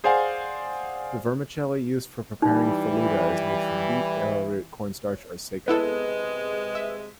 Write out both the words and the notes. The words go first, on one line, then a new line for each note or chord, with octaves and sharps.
The vermicelli used for preparing falooda is made from wheat, arrowroot, cornstarch, or sago.
G#4 C5 D5 F5 F#5 G#5
E3 G3 D#4
C3 G#3 B3 E4 A4 B4
E5